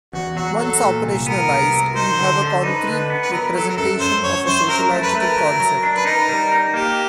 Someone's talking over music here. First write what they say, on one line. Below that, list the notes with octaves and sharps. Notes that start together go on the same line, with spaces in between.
Once operationalized, you have a concrete representation of a sociological concept.
E2 F#4
F#3 F#4
F#3 A4
A#2
C2
B3 A#4
C2
F#3
D#4 C5
D3
D3
D#4 B4
D3
B3
B4
F#3 A#4
F#3 A4
A#4
F#2 A4
F#2 C5
F#2 C#5
F#2 C5
F#3 A#4
A3
B4
A3
A#4
F#3
F#3
D4
B4
D#4 A#4
G3
D#4
A#3 G4